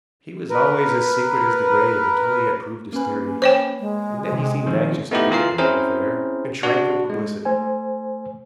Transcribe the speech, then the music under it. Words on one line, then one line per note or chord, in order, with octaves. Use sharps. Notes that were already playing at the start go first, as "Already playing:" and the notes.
He was always as secret as the grave until he had proved his theory, and then he seemed anxious to forget the whole affair, and shrank from publicity.
A#4 B4
A#3 C#4 B4
C#4
C5 C#5 G5
G#3
C3
D#3 F3 C4
A3 B3 D#4 E4 G4
E3 F4 A#4 C7
C4 C#4 E4 G#4 A#4 C5
D4 F#4
G#3
A3 C5 G#5